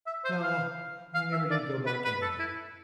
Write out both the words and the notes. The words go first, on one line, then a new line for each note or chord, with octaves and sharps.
No, we never did go back anywhere.
E5
C5
F5
F5
E5
D5
B4
B4
A4
E4